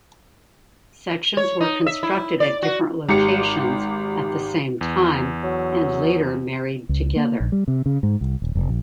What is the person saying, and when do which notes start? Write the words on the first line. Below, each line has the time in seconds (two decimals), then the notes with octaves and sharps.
Sections were constructed at different locations at the same time and later married together.
1.37 C#5
1.60 D#4
1.87 E5
2.03 E4
2.40 D5
2.63 F#4
3.09 G#1 G4 C#7
4.81 E2
5.43 F#3
6.89 C#2
7.16 A#3
7.40 A#1
7.52 G3
7.68 C3
7.86 C#3
8.03 G#2
8.21 C2
8.42 D#1
8.55 F1
8.69 A#1